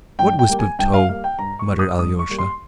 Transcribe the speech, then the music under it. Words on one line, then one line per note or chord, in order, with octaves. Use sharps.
"What wisp of tow?" muttered Alyosha.
G2 G5
G5
G3 A#3
G#5
G2 G5
F5
G3 A#3 F5
G5
G2 A#5
C#6
G3 A#3
D#6
G2 D#6
C#6
G3 A#3
C6